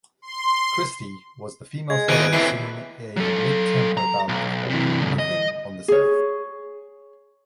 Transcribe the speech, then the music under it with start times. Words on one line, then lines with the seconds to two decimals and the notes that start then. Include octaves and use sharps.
Christie was the female soloist singing a mid-tempo ballad called "Nothing on This Earth".
0.22 C6
1.90 G#3 G#6
2.09 E2 B2 D#3 F#6 D7 D#7
2.33 A2 C3 E3 C7
3.17 F#3 A4
3.97 A#5
4.29 B1
4.69 C3 E3
5.00 D2 G2
5.19 D#5
5.88 G#4 C#5